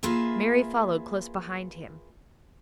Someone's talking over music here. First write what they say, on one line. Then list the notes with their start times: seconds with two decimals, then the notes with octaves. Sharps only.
Mary followed close behind him.
0.03 A#3 F4 G#4 B4 E5